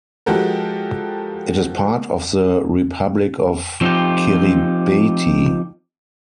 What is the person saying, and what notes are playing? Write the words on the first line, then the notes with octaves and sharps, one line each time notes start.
It is part of the Republic of Kiribati.
F3 G#3 F#4 G4 A4 A#4
F3 C4 D#4 F4 G4